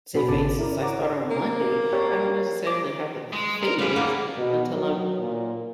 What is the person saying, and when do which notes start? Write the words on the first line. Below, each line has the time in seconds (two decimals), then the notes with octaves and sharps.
say for instance, I start on Monday, I don't necessarily have to f finish until I'm r
0.15 B2 F#4 G#4 B5
0.28 G#1 C#3 A5 D6
0.58 E4 A#4 D5
0.80 C#5 F#5 A#5 D6
1.31 A#3
1.93 G4 C#5 D5
2.67 D6
3.33 G#3
3.63 A#4
3.79 D2 G3 G#4 B4 F5
3.96 A#3 B3
4.38 B2
4.74 F#3
5.19 A#2